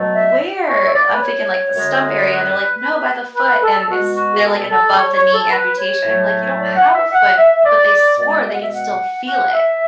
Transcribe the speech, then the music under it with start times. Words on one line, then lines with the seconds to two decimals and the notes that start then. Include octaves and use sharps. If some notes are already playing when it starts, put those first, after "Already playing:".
"Where?" I'm thinking, like, the stump area, and they're like, "No, by the foot." And it's they're like an above-the-knee amputation and we're like, "You don't have a foot," but they swore they could still feel it.
Already playing: B2 F#3 A3
0.13 E5
0.67 C#5
0.85 E5
0.93 D5
1.12 B4
1.19 C#5
1.74 F#2 D3 G#3
2.27 B4
3.35 B4
3.62 A4
3.88 B2 G#3 F#4
4.15 F#4
4.32 G#4
4.43 A4
4.69 A4
4.95 C#5
5.14 C#5
5.32 A4
5.50 B4
5.77 C#5
6.04 A2 F#3 A3
6.57 D5
6.75 F#5
6.93 E5
7.12 F#5
7.37 E5
7.64 D5
8.18 B2 G#3 D5
8.46 E5
8.53 F#5
8.59 E5
8.73 F#5
9.27 F#5
9.53 E5